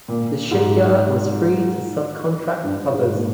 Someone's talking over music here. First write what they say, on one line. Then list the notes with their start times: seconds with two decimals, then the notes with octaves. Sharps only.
The shipyard was free to subcontract others.
0.08 A#2
0.51 G#2
2.63 G2
2.92 G#2
3.14 A#2